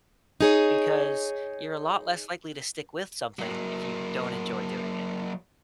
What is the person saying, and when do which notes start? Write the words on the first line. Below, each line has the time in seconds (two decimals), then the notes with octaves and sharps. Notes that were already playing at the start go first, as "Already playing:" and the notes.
Because you're a lot less likely to stick with something if you don't enjoy doing it.
0.41 D#4 G#4 C#5
3.39 F#3 A#3